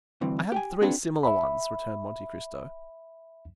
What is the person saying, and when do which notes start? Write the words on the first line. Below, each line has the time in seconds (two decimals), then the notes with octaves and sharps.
"I had three similar ones," returned Monte Cristo.
0.21 D2 G2 E3 C4
0.52 G4 G5 G#5
0.82 A#3 C4 D4 F#4 G#4 B4
1.23 E5 B5